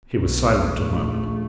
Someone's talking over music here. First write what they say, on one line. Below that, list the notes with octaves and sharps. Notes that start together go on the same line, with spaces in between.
He was silent a moment.
B1
A#1 A3